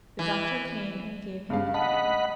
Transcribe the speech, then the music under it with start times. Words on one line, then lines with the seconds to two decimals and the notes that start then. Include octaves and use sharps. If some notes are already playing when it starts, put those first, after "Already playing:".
The doctor came and gave him opium.
0.19 E3
1.50 G2 C#3 F5
1.74 D#5 F#5 A5 B5